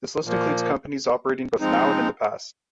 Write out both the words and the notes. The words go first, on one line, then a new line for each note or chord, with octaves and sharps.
This list includes companies operating both now and in the past.
A#2 F3 A#3
F3 G#3 C4 D#4